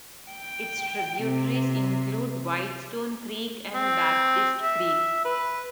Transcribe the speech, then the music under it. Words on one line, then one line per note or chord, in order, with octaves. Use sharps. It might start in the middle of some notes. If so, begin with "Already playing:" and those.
Its tributaries include White Stone Creek and Baptist Creek.
G5
C3
C4
E5
B4